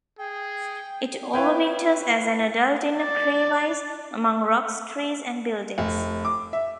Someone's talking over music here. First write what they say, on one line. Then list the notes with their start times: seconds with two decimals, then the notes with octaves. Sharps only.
It overwinters as an adult in a crevice among rocks, trees, and buildings.
0.19 G#4 G5
1.33 E4 B4 C#5 F5 G5
2.96 D5
5.78 F1
6.25 D6
6.53 E5